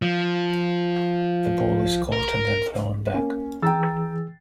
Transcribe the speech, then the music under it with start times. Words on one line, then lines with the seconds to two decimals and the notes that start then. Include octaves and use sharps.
The ball is caught and then thrown back.
0.02 F3
2.12 A#4
3.14 A#3 C#4
3.62 E3 G#4 G5 A#5 E6 A6